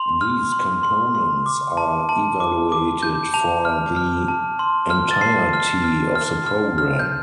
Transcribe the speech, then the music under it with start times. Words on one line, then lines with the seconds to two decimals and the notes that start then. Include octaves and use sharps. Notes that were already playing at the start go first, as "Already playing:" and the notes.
These components are evaluated for the entirety of the program.
Already playing: C6 F7
0.21 F6
0.52 C6
0.83 C6
1.15 C6
1.46 D6
1.77 A5
2.09 A5
2.40 D6
2.72 D6
3.03 G6
3.34 A5 F7
3.65 F6
3.97 F6
4.28 A5
4.59 C6
4.90 F6
5.11 A6
5.21 A5 C7
5.53 F6
5.84 F6
6.15 F6
6.46 F6
6.78 F6
6.99 G6